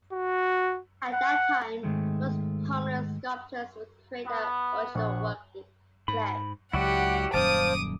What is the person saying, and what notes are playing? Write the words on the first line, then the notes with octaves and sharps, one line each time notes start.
At that time most prominent sculptors would create their original work in clay.
F#4
F#5
G#2 D#3 G#3 A3
B3
A#1 F#5 C#6
G#2 B5
C#2 F#3 E4 F#4 G4 D5 F#5
D#1 F#2 C5 F5 A5 D6 D#6